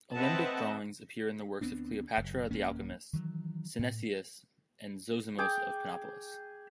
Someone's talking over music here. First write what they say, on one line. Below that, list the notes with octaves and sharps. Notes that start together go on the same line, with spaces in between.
Alembic drawings appear in works of Cleopatra the Alchemist, Synesius, and Zosimos of Panopolis.
C4 B4 D#5 E5 F#5 A5
D2 B3 C4 D4
F#1
D#1 A#3 C#4
D#3 E3 F#3
A2
G#4 G5 D6